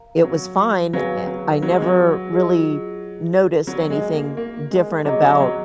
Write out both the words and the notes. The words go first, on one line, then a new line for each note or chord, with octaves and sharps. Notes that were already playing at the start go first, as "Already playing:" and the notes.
it was fine, eh, I never really noticed anything different about
Already playing: A#4 F5 A#5
F#3
F#3 G#4 B4 F5 G#5
F#3
F#3
G#3
F#3
F4 G#4 D#5
F#3 D#4 F#4 D5 F#5 B5
G#3
A#3
A#3
G#3
F#3 G#4 D#5 A#5 D6
F#3
F#3